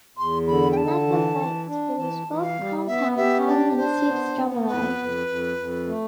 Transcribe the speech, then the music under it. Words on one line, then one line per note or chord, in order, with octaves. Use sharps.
Gnetophytes produce both compound pollen and seed strobili.
E2 C6
D3 B5
G5
D3 A5
E3
E3
D4
E3 A5
E3
F5
G3
B3 E5
G4 E5
D4 D5
D4 C5
B3
B3
F2 B4
F2
F2
F2
A3